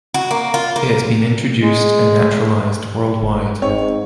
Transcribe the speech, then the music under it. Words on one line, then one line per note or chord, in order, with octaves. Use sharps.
It has been introduced and naturalized worldwide.
F#4
A#3
F4
A#3
G#3
F#1
G#2 C4 C#5